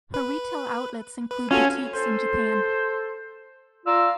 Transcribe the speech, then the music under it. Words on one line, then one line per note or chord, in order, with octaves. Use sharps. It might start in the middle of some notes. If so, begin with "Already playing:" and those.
Her retail outlets include boutiques in Japan.
B4
B4
C#4 F4 F#4 A4
A4 C5
F4 D5 F5 A#5 E6